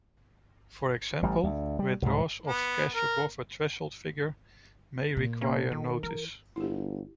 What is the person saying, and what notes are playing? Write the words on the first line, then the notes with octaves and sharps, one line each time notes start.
For example, withdrawals of cash above a threshold figure may require notice.
A1 A2 G3
D2
G3
C2 G#2
B3
A#4
A#2
A#3 C#4
A4
D#3
E3 A#4
G1 E4 G4